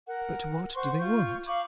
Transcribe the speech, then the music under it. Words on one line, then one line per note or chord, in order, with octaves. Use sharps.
"But what do they want?"
A#4 F#5
C5 F#5 C6 C#6
F4 C#6 G6
F5 B5 C#6 D6